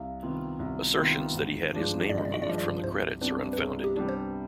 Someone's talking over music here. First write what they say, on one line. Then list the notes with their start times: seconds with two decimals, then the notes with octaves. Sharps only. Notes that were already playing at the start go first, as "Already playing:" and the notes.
Assertions that he had his name removed from the credits are unfounded.
Already playing: C2 F5
0.23 C3 D#3 B3 F4
0.59 C2
0.98 C3 D#3 B3 F4
1.34 G#1
1.72 G2 F3 G#3 D4
2.09 G#1 D5
2.18 D#5
2.25 D5
2.34 D#5
2.42 D5
2.47 G2 F3 G#3 D4 D#5
2.58 D5
2.84 C2 C5
3.21 C3 G3 B3 D4 B4
3.53 B4
3.58 C2 G#4
3.84 G4
3.97 C3 G3 B3 D4
4.09 C5